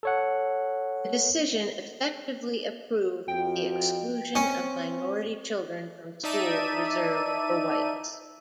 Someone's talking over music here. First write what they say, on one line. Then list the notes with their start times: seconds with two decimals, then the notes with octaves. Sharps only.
The decision effectively approved the exclusion of minority children from schools reserved for whites.
0.03 A4 C#5 F#5
3.28 F2 F#4 G5
4.35 C4 C#4
6.24 D#4 D5 E5 A5 D#7